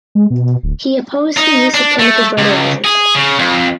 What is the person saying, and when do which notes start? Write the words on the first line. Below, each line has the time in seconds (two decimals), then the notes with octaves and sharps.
He opposed the use of chemical fertilizers.
0.15 G#3
0.30 B2
0.63 D1
1.37 D#4
1.74 D4
1.99 A3
2.38 C#2
2.84 G#4
3.15 C#3
3.39 F2